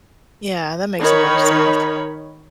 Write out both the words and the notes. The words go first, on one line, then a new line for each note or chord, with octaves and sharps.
Yeah, that makes a lot of sense.
D#3 D#4 C#5 B5